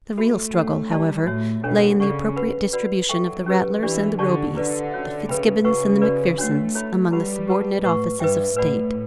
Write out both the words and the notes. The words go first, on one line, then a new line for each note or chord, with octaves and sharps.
The real struggle, however, lay in the appropriate distribution of the Rattlers and the Robys, the Fitzgibbons and the Macphersons among the subordinate offices of State.
A3 F#4 A4 E5 B5
D4 A4 C#5 F#5
G3 E4 G4 D5 A5
A2 F#4 C#5 E5
B2 D4 A4 C#5
C#3 A4 D5 F#5 C#6
B4 F#5 B5
F#4 B4 D5 F#5 B5
F#3 A4 E5 G5 C#6
C#4 G4 B4
E3 D4 G4 D5
D3 D4 G4 D5 A5 C#6
D3 E4 B4 D5
C#4 F#4 C#5 E5
C#3 B4 E5 G5 B5
C#3 F#4 B4 F#5 C#6
F#4 B4 D5
A3 D4 F#4 C#5 F#5
E4 A4 C#5 E5 B5
G3 E4 G4 B4 F#5 B5
G4 B4 F#5 A5
A2 B4 F#5 C#6
G2 B4 E5 G5
A2 B4 D5 F#5 B5